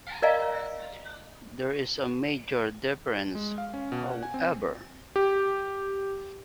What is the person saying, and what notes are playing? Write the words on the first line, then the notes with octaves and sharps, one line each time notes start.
There is a major difference, however.
A#4 D5 D#5 F5 G#5 A#5
G#3
F5
C#4
B2
F#5
G#5
C4
G4